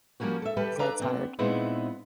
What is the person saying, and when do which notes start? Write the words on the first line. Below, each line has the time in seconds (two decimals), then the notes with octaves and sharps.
‘cause that's hard.
0.20 F3 G3 A#3 C#4 F#4
0.42 A4 E5
0.57 G3 G4 A4 B4
0.79 D4 B4 D5 E5 F5 A#5
1.00 B3 C4 D4
1.39 A#2 G#3 B3 C4 D#4 E4